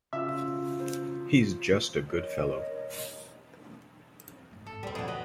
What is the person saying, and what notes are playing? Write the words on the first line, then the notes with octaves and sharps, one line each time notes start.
He's just a good fellow.
C#3 F4 F#4 E5
C5
A#4 C#5 D#5
C4
F#1 G#2
G#1 A4
D#1 C#2 G3 C4
F2 D3 G#4
D#2 F#3 B4 D#5